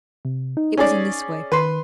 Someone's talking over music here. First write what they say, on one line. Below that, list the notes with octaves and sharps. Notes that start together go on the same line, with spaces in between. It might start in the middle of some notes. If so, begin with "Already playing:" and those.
It was in this way.
C3
D#4
C#4 G#4 D5
D#3 B4 C6